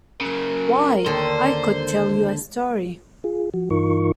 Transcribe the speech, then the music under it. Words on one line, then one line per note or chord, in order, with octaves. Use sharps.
Why, I could tell you a story.
C#3 F#3 A#4
D#2 D3 C5
F4 G#4
F3 F#4
G2 E3 D#4 F4 A#4 C#6